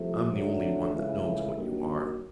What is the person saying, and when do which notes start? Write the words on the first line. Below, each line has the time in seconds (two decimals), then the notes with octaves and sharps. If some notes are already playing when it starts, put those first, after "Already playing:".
I'm the only one that knows what you are.
Already playing: C2 C3 F3 A3
0.31 D3 F#3 A3 D4
0.93 C#2 C#3 E3 A3
1.55 G2 D#3 F#3 A#3